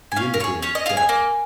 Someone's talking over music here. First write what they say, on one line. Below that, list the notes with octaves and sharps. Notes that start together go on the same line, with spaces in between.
He indicated the chapel.
G#5
C#4 F5
A#4
F4 G#4 C#5
C#4 C#5
D#5
F4 G#4 F5
G#5
A#3